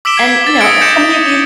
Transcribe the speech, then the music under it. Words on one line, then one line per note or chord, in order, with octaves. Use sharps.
and, you know, how many of these
D6 E6 B6 D7 E7 G7
G#6
D6 A6
D#6 E6 A#6 C#7 D7
G6 A#6 C#7 E7